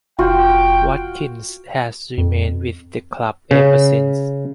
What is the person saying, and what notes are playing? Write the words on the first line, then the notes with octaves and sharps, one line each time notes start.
Watkins has remained with the club ever since.
F1 F4 F#4 G5
F2
C#3